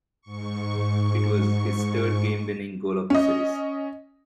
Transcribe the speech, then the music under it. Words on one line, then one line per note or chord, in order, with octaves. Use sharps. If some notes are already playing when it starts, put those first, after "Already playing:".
It was his third game-winning goal of the series.
G#2 C#6
C#4 D#5